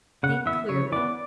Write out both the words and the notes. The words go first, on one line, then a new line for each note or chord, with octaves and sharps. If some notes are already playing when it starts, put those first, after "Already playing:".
Think clearly.
C#3 F#5
E3 B3 E5
C#3 C#5
E3 B3 D5